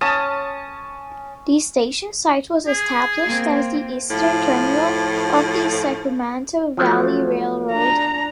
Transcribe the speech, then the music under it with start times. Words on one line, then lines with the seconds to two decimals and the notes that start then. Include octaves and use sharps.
The station site was established as the eastern terminal of the Sacramento Valley Railroad.
0.01 C#4 A5 D#6
2.68 G#4
3.26 A#3 C4
4.10 A2 F3
6.77 F3 F#3 A3
7.72 D4 A#5